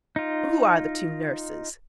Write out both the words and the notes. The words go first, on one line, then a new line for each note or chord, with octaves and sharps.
'Who are the two nurses?'
D#4 F4